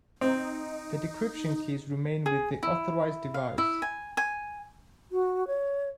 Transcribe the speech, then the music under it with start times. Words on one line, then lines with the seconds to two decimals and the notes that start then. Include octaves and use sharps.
The decryption keys remain with the authorized device.
0.21 C4 D#4
2.26 G#4
2.63 E4
3.34 F5
3.58 E4
3.82 G#5
4.17 G#5
5.12 F#4
5.47 C#5